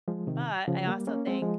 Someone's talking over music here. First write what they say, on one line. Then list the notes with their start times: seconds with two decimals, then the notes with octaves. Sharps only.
but, I also think
0.08 F3 G#3
0.27 C3 D#3
0.68 C#3 F3
0.87 G3 A#3
1.07 A#3 C#4
1.27 G#3 C4
1.42 F3 G#3